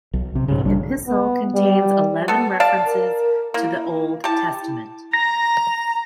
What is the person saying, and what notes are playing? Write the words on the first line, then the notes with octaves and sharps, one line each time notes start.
The epistle contains eleven references to the Old Testament.
B1
C3
G#2 C#3
A#1 G3 D4
B3
G3
B3 A4
D5 F5 A5
A#4
A#3 E4
E4 G4 A5
A#5 A#6